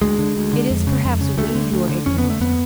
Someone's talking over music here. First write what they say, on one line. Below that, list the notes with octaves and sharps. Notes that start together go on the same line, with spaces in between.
It is perhaps we who are ignorant.
D2 G#3
D3
D2
D3
F2
C#3
F2
C#3
D2 A3
D3
D2
D3
F2 C#4
D3 B3
A3
F2 B3